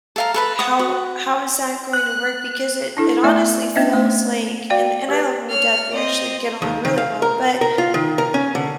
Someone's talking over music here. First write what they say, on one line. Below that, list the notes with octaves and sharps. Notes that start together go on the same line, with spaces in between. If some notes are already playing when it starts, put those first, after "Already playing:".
how how is that going to work?" Because it it honestly feels like and and I love him to death, we actually get along really well, but
A4 F5 A#5
A4 B4 B5
F#5 D#6
F#4
F#6
D4 E4 A4
A3 B3 E4 D5 E5 G#5
B3 C#4 D4 C5 D#5 E5
A3
F#4 D5 F5 G5
G4 B4
C#5 F6
C4 D#5
D#2
D#3
F5
A#4
A#4
F4
D#3
A#4
C#4
D3